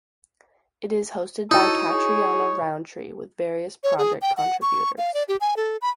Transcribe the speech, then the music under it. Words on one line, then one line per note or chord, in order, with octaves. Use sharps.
It is hosted by Catriona Rowntree with various project contributors.
D#4 E4 F#4 A4 C#5 D#6
G#4 C#5
C#5
G#4
G5
F#5
C#6
F5
D5
G4
G#5
A4
B5